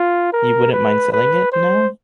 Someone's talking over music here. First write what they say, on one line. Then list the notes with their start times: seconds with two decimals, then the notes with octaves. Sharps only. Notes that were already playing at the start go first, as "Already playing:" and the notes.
You wouldn’t mind selling it, now?
Already playing: F4
0.33 A#4
0.73 B4
1.12 B4
1.52 C5